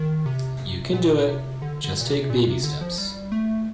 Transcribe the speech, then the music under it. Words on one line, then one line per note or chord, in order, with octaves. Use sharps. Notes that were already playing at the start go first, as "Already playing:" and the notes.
You can do it. Just take baby steps.
Already playing: D#3
C3
A#2
C3
D3
D3
A#2
C3
A#2
C3
D3
F3
G3
A3